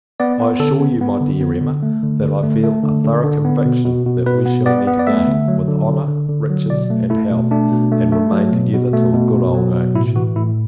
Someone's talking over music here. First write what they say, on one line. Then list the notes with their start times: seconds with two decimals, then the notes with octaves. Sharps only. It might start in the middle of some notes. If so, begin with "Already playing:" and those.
I assure you, my dear Emma, that I feel a thorough conviction, that we shall meet again, with honour, riches, and health, and remain together till a good old age.
0.20 B3 D5
0.40 B3
0.59 D3 A4
0.80 B3
1.01 B3
1.21 D3
1.41 B3
1.61 D3
1.83 A3
2.03 D3
2.23 D3
2.43 A3
2.63 A3
2.83 D3
3.04 D3
3.24 D3
3.45 B3
3.65 B2
3.85 B2
4.06 B2
4.26 B2 B4
4.46 B3
4.66 B3 D5
4.87 B3
4.99 D5
5.07 A3 E5
5.27 D3
5.48 F#3
5.68 D3
5.88 D3
6.08 D3
6.29 D3
6.50 F#3
6.70 B2 D5
6.90 A3
7.10 A3 E4
7.31 B2
7.51 A3 D4
7.71 B2
7.91 A3
8.12 A3
8.32 F#3
8.53 B2
8.73 B2
8.93 A3
9.13 B2
9.34 B2
9.54 F#3
9.74 B2
9.95 A2 E4
10.16 E3 F#4
10.36 A2 E4